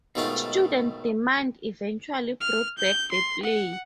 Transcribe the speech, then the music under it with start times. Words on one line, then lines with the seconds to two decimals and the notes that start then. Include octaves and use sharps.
Student demand eventually brought back the play.
0.15 B1 G#2 D#3 A3 F4 F5
2.41 F6
2.78 G6
3.12 C6
3.43 F#5